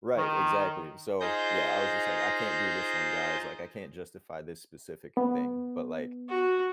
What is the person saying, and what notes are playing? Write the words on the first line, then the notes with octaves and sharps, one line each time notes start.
Right, exactly. So, yeah, I was just like, "I can't do this one, guys. Like, I can't justify this specific thing," but, like,
D#3
D#4 F4 G#4 C5 G6 A#6
B3
F#4